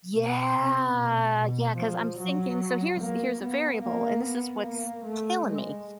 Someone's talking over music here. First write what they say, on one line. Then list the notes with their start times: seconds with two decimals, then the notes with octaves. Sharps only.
Yeah. Yeah, 'cause I'm just thinking so here's here's a variable, and this is what's killing me,
0.15 B2
0.56 C3
0.97 B2
1.37 B2
1.78 F3
2.19 F#3
3.01 A#3
3.41 B3
3.83 A#3
4.24 B3
4.64 A#3
5.05 A3
5.46 G#3